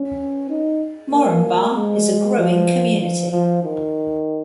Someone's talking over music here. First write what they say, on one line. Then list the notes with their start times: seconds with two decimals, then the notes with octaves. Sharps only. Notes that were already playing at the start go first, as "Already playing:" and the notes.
Moranbah is a growing community.
Already playing: C#4
0.49 D#4
1.12 A#3
1.75 G#3
2.37 F3
3.00 F3
3.31 F3
3.63 D#3